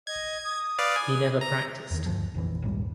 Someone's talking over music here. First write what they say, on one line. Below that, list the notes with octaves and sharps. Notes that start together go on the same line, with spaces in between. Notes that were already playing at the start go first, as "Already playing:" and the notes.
He never practiced.
D#5 G#6
D#6
B4 D5 F5
G#5
A#5
E2 D#3
D2 G2 F3
A#1 F2 E3
A#1 D#2 G#2 G3